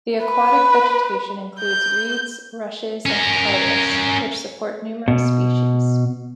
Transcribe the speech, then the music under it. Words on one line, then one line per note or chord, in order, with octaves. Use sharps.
The aquatic vegetation includes reeds, rushes, and papyrus, which support numerous species.
B4
G6
C#4 A#4
B2